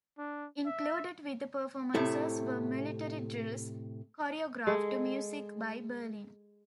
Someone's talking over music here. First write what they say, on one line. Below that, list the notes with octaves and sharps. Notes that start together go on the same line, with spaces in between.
Included with the performances were military drills choreographed to music by Berlin.
D4
E5
A2 C3 A3 E4
G#3 G#4 A4